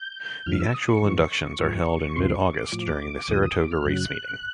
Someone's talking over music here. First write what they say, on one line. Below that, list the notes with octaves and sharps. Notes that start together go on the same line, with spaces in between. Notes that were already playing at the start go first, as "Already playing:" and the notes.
The actual inductions are held in mid-August during the Saratoga race meeting.
Already playing: G6
F2 D3 F3 F6
E6
D#6
C#6
G#2 E3
G#2 F3
D2 C3 F3 C6
C#6
D6
A2 F3
D#2 C#3 F3 D#6
D#6
D6
F6
F#2 C#3 F#3 F#6